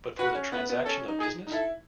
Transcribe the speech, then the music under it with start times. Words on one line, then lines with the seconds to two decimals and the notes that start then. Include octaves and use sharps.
But for the transaction of business?
0.18 F#4 B4
0.35 C#4
0.52 B3 B4
0.69 B3
0.85 C#4 A4
1.08 D#4
1.19 G#4
1.47 D#4
1.52 E4 A4